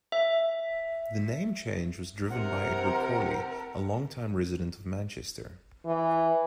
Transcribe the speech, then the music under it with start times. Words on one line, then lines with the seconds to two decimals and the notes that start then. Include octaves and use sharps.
The name change was driven by Edward Corley, a longtime resident of Manchester.
0.12 E5
2.30 C3 E3 C4 A#4 F#5
5.86 E3